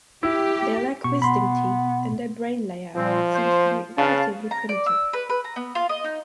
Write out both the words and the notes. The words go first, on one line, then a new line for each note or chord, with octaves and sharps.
They lack wisdom teeth, and their brain layout seems to be relatively primitive.
E4 G4
B2 C#6
B3 B5 C6
A#2 F3 G3 C4
C5
C#3 B4 F5 A5
A#5
D5
E6
B4
B4
A#5
B3
F4
D#5
D#4